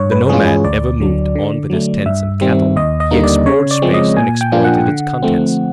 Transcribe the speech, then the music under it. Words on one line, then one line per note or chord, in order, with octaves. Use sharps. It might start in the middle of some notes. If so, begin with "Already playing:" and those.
The nomad ever moved on with his tents and cattle; he explored space and exploited its contents.
Already playing: G2 C#5
B4
E3 G#3 C#4 F4 G#4
G#4
D2 D5
D3 F#3
D3
F#3 A3
G2 E5
D#3 G3 C4
D#2 D#5
D#5
D3 G3 A#3 D#4
D5
C#3 C#5
D5
F3 G#3 C4
D#5
A#2 G#5
G5
F3 A#3 D4 F4
F#5
D3
F3 A3 C4